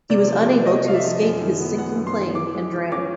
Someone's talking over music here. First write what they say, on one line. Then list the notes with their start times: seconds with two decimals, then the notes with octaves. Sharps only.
He was unable to escape his sinking plane and drowned.
0.10 C3 D5
0.28 F3
0.47 D4
0.66 A3 D#5
0.84 C3 F5
0.94 E5
1.04 F3
1.22 F#2
1.41 D#3
1.60 B3
1.78 G#3 F#5
1.98 F#2
2.07 C6
2.16 D#3
2.35 E3 D6
2.54 G#3
2.72 F4
2.91 C#4 D6